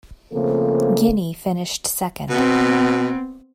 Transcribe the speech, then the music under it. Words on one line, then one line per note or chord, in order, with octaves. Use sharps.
Guinea finished second.
C#3 F3 A3 A#3 C4 A4
B2 B3 C4